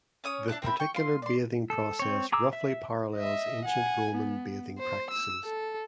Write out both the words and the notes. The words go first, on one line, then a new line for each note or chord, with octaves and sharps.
The particular bathing process roughly parallels ancient Roman bathing practices.
C#4 C#5 D#6
D4 E4 A5 F#6
C4 A#4 E5 B5
G5 C#6
F4 C6
D5 C6
A4
C4 C#5
G#4 A#5 D6 E6
E5
D#5 E5
F#5 G#5
B3
C5
E6
A4